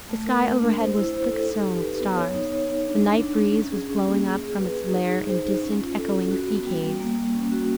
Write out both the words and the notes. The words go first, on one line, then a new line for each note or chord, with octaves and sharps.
The sky overhead was thick-sown with stars; the night breeze was blowing up from its lair in distant, echoing sea caves.
A3
A#4
A3
D4
C5
E4
C5
A4
D#4
G4
B4
B3
C#5
D#4
C#5
D#4
D4
D4
D4
D4
C#4
G#4
C#4
A#3
G#4
G#4
B4
G#4
D#4
G#4
C5
D#4
C#4
F4
A4
C#4
F#4
B3
G3
G3
A#3
A#3
C#4
F#4